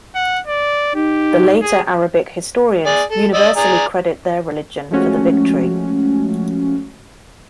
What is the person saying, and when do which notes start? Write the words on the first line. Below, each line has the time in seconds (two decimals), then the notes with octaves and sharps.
The later Arabic historians universally credit their religion for the victory.
0.15 F#5
0.47 D5
0.95 D#4 G4
1.61 G#4
2.86 G#4 D5
3.11 A4
3.34 D5 D#5 E6
3.56 G#4 D5 A#5
4.91 F3 G#3 A3 C#4 F#4